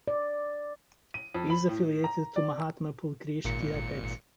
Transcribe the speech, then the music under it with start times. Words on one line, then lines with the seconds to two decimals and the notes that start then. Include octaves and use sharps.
It is affiliated to Mahatma Phule Krishi Vidyapeeth.
0.08 D5
1.14 D#7
1.34 F2
1.50 B5
1.69 A2
2.04 A#5
2.36 D5
3.45 G#1 A#2 C#7